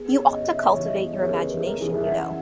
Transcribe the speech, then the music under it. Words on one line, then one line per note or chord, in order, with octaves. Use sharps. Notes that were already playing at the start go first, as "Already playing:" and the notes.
You ought to cultivate your imagination, you know.
Already playing: B3 G#4
C#5
C#3
D#5
D#5
C#3 E5
C#5
E3 E5
D#5
B3 C#5
C#5
G#4
C#3 A#4
B4
C#3 G#4
A#4
E3 G#4
E5
C#4 F#5